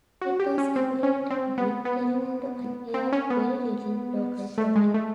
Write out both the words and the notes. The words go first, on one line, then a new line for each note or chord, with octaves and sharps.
It was affiliated with Telemundo and aired very little local programming.
F#4
G4
C#4
C4
C#4
C4
B3
B3
C4
C#4
B3
A3
G#3
A3